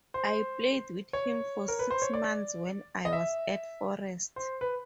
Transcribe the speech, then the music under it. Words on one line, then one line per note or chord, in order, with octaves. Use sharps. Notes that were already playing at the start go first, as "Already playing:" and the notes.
I played with him for six months when I was at Forest.
C5
C#5
A#4
B4
C5
C#5
D5
D#5
E5
C5
B4